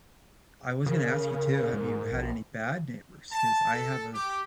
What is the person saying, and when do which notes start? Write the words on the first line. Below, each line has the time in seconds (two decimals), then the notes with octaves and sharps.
I was gonna ask you too, have you had any bad neighbors? 'Cause I have a
0.86 C#3 A#4
1.73 G#2
2.12 A#1
3.33 A5
3.73 A4
4.13 G4